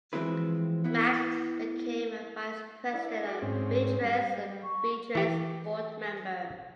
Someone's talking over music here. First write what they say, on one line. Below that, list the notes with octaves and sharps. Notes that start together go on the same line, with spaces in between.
Mack became a vice president of Beatrice and a Beatrice board member.
E3 F3 G#3 C4 E4 B4
B3 E4
D4 E4
F#4 G#4 D5
G#2 C4 C#4
G3
C#6
E3 G4